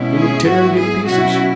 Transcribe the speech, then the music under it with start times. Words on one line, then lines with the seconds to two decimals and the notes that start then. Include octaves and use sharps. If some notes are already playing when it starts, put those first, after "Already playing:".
"They would tear him to pieces."
Already playing: B2 G#3 C#4 E4
0.17 G#4
0.47 G#2 F#3 B3 E4 F#4
0.77 G#4
1.07 B2 F#3 C#4 E4 F#4